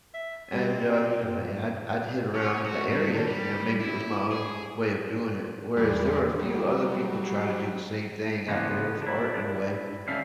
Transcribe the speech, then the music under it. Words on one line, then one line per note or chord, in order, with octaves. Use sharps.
and, uh, you know, my I'd I'd hit around in the area, you know, maybe it was my own way of doing it. Whereas there were a few other people trying to do the same thing out there with art in a way,
E5
G3 A#3 C4 D#4
F#2
C#4
F#4
G2
D3
G3
E4
G#4
E2 G3 G#3 D4
F#3 G3
C#3 E3 F3 A#3 B3
D4 E4
C#2 D#3 C#4 D4 E5 F5